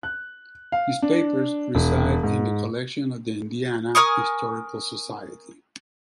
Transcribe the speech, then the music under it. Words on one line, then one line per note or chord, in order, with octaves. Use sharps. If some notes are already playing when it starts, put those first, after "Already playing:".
His papers reside in the collection of the Indiana Historical Society.
F#6
F5
D4
E1
G#2
A#4 G#5 C#6 D#6